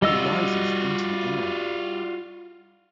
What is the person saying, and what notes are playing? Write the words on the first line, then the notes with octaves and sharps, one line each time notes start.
It rises into the air.
G3 F4 F#4 D#5 E6